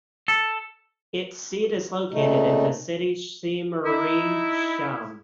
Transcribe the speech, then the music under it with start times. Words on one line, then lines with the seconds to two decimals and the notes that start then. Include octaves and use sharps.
Its seat is located in the city Simrishamn.
0.28 A4
2.12 A#2 C#3 A3 D#4
3.84 D#4 E4